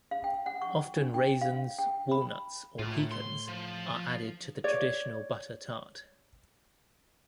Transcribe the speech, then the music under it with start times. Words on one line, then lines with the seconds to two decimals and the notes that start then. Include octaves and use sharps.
Often raisins, walnuts or pecans are added to the traditional butter tart.
0.11 F5
0.24 G5
0.46 F#5
0.62 C#6
0.97 D4
1.14 G5
1.41 F5
1.79 G5
2.11 B5
2.79 A2 F4 A#4
3.11 C6
3.48 F3
4.64 C#5 D5